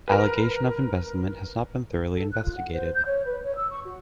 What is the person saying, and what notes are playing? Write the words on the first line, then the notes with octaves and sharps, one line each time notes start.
Allegation of embezzlement has not been thoroughly investigated.
A#4 B4
A4
F#6
F4
F#5
C5
G6
C#5
B4
C#5
E6
C#6
F#4